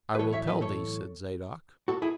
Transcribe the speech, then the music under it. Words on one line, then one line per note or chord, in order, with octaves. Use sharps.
"I will tell thee," said Zadok.
B4
B1 A2 E3 A4 C#5
C#5 E5
B4 D#5
A4 C#5
F#4 A4
E4 G#4